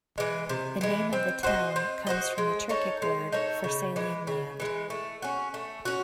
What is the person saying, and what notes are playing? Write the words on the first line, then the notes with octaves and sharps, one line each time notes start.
The name of the town comes from the Turkic word for saline land.
E3 G#3
C3
E3 G#3
C4
F#4 C5 D#5
C4
F#4 C5 D#5
G#3
D#4 A4 C#5
G#3
D#4 A4 C#5
C#3
E3 G#3
C#3
E3 G#3
A3
C#4 F#4
A3
C#4 F#4